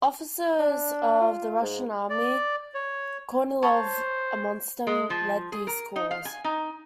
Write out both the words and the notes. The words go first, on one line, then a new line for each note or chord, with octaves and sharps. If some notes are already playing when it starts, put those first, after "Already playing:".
Officers of the Russian Army, Kornilov amongst them, led these calls.
D4
F4
G#2
D5
C#5
C5 C#5 A5
G#3
F3
G#4
A#4
D#4
F5
G#5
D#4